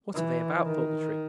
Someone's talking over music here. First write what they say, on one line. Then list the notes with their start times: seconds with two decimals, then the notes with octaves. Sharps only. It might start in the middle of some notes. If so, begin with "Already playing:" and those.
"What are they about?" thought the Tree.
0.14 E3
0.66 D#3